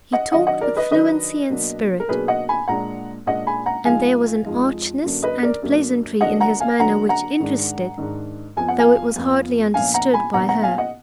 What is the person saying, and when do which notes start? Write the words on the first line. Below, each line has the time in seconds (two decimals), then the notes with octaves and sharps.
He talked with fluency and spirit--and there was an archness and pleasantry in his manner which interested, though it was hardly understood by her.
0.13 D#5 F#5
0.32 D#3 F#3 D4 D#5 F#5
0.47 D#5 F#5
0.61 A#4 D5
0.77 B4 D#5
0.91 D#3 F#3 D4 B4 D#5
1.50 B2 F#3 A#3 D4
2.00 A#4
2.09 B2 F#3 A#3 D4 G#4 B4
2.28 D#5 F#5
2.49 G#5 B5
2.68 A#2 G#3 D4 F#5 A#5
3.26 A#2 G#3 D4 D#5 F#5
3.47 G#5 B5
3.66 F#5 A#5
3.85 F2 F3 G#3 D#4 F5 G#5
4.44 F2 F3 G#3 D#4
5.04 F#2 D3 F#3 A#3 D4
5.23 B4 D#5
5.43 A#4 D5
5.62 F#2 D3 F#3 A#3 D4
6.21 D3 F#3 A#3 D4 D#5 F#5
6.40 F#5 A#5
6.60 F5 G#5
6.80 D3 F#3 A#3 D4 F#5 A#5
7.09 F#5 A#5
7.40 G#2 D#3 G#3 D4
7.98 G#2 D#3 G#3 D4
8.56 F2 F3 B3 G#5
8.68 F#5
8.79 F5 G#5
9.16 F2 F3 B3
9.74 A#2 F3 B3 D4 F5 G#5
9.94 F#5 A#5
10.14 G#5 B5
10.34 A#2 F3 B3 D4 F#5 A#5
10.48 F#5 A#5
10.63 F5 G#5
10.78 D#5 F#5